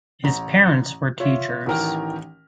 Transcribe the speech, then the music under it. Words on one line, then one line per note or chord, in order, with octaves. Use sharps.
His parents were teachers.
A1 A#5
F4 C#5 E5
A1 D#3 E3 A#4 G5 F6